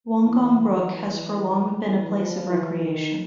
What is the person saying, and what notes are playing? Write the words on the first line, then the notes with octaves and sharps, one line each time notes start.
Wongong Brook has for long been a place of recreation.
E3
E3
F3
E3
D#3